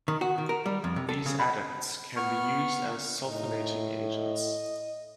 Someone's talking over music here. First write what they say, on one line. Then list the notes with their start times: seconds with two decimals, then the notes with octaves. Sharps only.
These adducts can be used as sulfonating agents.
0.08 D#3
0.21 F#4
0.38 D#3
0.49 A#4
0.66 G3
0.84 F2
0.96 C3
1.09 A4
1.26 C#3
1.40 B5
2.16 B3 C#6 F6
3.28 A2 D#4
4.13 D#5